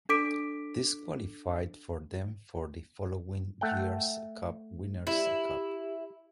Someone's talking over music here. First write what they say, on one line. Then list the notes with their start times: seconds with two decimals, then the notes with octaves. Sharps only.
This qualified for them for the following year's Cup Winner's Cup.
0.09 D4 A4 D6 B6 D7
3.61 A3 F#5 G5
5.07 E4 G4